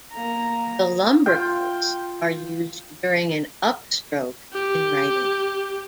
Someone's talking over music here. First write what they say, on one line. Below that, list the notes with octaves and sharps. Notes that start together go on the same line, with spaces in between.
The lumbricals are used during an upstroke in writing.
A#3 A#5
F4 G5
G4